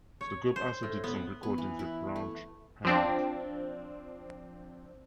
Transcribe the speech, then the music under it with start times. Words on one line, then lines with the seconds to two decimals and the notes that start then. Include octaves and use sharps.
The group also did some recordings with Raunch Hands.
0.21 C#5
0.56 C5
0.83 A2
1.04 B3
1.43 B3
1.58 E3
1.79 E4
2.16 A3
2.85 F3 C4 D4